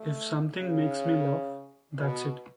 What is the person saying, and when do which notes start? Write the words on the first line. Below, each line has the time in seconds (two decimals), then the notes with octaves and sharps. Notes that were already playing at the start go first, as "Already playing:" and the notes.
If something makes me laugh, that's it.
Already playing: A3
0.58 C#3
1.98 B2